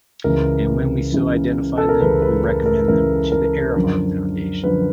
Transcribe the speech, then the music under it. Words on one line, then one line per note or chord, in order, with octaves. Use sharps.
And when we so identify them, we recommend them to the Earhart Foundation.
C#2 C#3 E3 A#4
C#2 C#3 E3
A4
A#4
C#2 C#3 E3 B4
B4
A#4
A#4
C#2 C#3 E3 A#4
A#4
F#2 D3 F3
F#2 D3 F3 B4